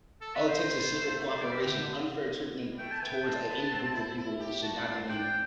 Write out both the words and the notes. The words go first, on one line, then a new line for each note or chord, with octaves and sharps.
All it takes is simple cooperation. Unfair treatment t towards a any group of people, it should not even
A4
B4
C4 C5
B3
A3
A3
C5
G3 D5
E5
D3 G5
C3
G3
A3 G5
A5
B3 G5
C4 A5
B3
C4
E4
E4
G4
F#4 A5
D4
C4
D4 G5